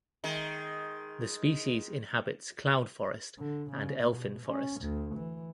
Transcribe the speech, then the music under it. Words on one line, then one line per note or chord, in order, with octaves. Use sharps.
The species inhabits cloud forest and elfin forest.
D#3 G#3
D3
C#3
B2
C#4
D2
E3